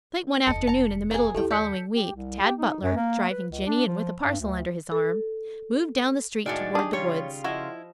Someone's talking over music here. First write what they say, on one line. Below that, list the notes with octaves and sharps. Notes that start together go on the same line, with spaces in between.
Late one afternoon in the middle of the following week, Tad Butler, driving Jinny and with a parcel under his arm, moved down the street toward the woods.
F1 D#2 A4 D#5 C#7
A5 A#5
A#3 G#4
D#2 A3 E4 G4 A4 G5
A4 D5 G6 B6 C#7
G4
C2
G4
D#4
F#2
A#3
B4
C#2
D4
F3
G2
D2
A4
A2 D#3 G#3 D4 F#4 D5
D4 G4 G#4
C#3 G3 F4 C#5
F3 E4 F#4 D#5